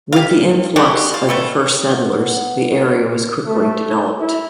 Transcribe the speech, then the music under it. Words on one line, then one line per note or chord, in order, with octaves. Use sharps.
With the influx of the first settlers, the area was quickly developed.
G4 F5
G3 G#3 F#4 G4
F4
G3 A3 B3
B3
A3
E4